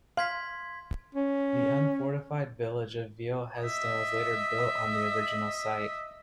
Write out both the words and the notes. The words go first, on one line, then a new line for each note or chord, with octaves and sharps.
The unfortified village of Vieil-Hesdin was later built on the original site.
F5 C6 G#6 B6
C#4
D#5 E5